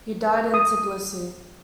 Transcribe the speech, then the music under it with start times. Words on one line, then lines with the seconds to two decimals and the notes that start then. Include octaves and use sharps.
He died in Tblisi.
0.54 D#6